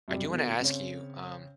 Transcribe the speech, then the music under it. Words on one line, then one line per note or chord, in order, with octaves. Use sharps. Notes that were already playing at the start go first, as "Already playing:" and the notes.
I do wanna ask you, um,
F#2 C3 G3
B2 D3
C#3 C4 C#5